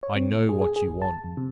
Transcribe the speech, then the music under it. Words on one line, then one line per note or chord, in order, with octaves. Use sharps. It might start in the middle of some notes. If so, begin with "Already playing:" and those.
"I know what you want."
C#5
C4
A2
G#4
G#4
G#4
G#1
A5
F2
C3